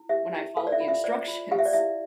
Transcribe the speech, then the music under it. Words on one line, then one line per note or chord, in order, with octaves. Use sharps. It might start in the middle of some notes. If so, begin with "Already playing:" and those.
when I followed the instructions."
Already playing: E4
G4 E5
E4
A4 F5
D5
E5
F4
E5
C5 D5
F4
G4 F5
E5
D5
E4 E5